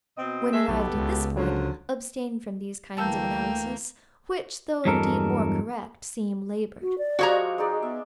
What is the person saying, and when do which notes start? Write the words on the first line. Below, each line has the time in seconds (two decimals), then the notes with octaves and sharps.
When arrived at this point, abstain from these kinds of analysis, which though indeed more correct, seem labored.
0.17 B2 C4 D#5
0.53 G#3 A3 E5
0.68 B1 B3 G4 A4
0.94 C#2
1.37 D3 F3 F#3
2.97 D2 E3 A3 A#3 G5 A5 E6 G6
4.85 E2 G2 F#3 G#3 A4 A#4
6.82 F#4
6.98 D5
7.19 F3 G#3 F#4 G4 C#5 A#5
7.58 G#3 D#4 G#4 D5
7.82 B3 E5